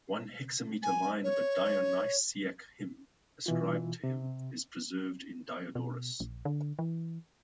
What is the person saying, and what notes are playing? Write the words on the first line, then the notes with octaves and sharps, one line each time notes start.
One hexameter line of a Dionysiac hymn, ascribed to him, is preserved in Diodorus.
G#5
C#5
B2 E3 F4
C3
B2
A#1
D3
E3